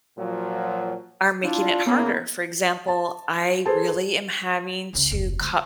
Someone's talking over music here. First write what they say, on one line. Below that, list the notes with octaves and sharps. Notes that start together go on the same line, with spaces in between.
are making it harder. For example, I really am having to cut
A#2 F3 F#3
D4 E4 F4
C#3 A#3 B3
A5
G#4 A4 B4 C5 A5
C#2 C#3
F1 D2
D2 F3